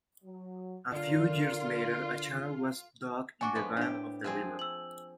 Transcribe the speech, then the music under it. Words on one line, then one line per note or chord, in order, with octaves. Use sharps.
A few years later, a channel was dug in the bend of the river.
F#3
D3 F4 A#4 D5
D4 F#4 G#5 C#6 D6
F3 G#3 B3
A2 D4 G4
F3 C4 G#4
E6 F#7